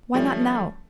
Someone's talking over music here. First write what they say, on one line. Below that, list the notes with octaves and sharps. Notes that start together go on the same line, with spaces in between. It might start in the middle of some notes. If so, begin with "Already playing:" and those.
Why not now?
F3 G3 A3 C#4